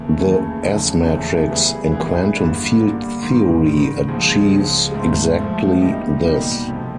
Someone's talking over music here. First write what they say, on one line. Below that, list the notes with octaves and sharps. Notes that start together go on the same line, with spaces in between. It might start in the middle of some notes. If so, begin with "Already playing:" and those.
The S-matrix in quantum field theory achieves exactly this.
Already playing: D#2 C#3 E3 A3
D#2 C#3 E3 A3
E2 C#3 F3 A3
E2 C#3 F3 A3
E3 G3 B3 E4 G#4
E3 G3 B3 E4 G#4
G2 D3 G3 A#3
G2 D3 G3 A#3
G#2 D#3 G3
G#2 D#3 G3
C#2 C#3 F3 G#3
C#2 C#3 F3 G#3
G#2 F3 A3
G#2 F3 A3
B2 G3 A#3 D#4 G4
B2 G3 A#3 D#4 G4
F2 C3 F3 A#3